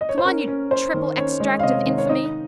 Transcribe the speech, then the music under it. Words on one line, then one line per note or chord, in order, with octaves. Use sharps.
Come on, you triple extract of infamy!
D#5
C#5
C5
C#4 A#4
C#4
C#4 C5
D#3
C#4 C#5
G#3
F5
C3 D#5
D#3
C#5
D#4 D#5